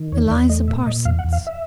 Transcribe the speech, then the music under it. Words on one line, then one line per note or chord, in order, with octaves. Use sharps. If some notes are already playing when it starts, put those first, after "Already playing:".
"Eliza Parsons."
Already playing: D#3
E2 C#5
E2 D5
A3 D#5
A#2 E5
A#2 D#5
E2 F5
F#5
E2
F5
E5